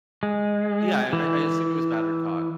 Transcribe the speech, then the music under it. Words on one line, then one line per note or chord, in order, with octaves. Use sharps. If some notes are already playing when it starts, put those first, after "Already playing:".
Yeah, I I I assume it was battered cod.
G#3
E3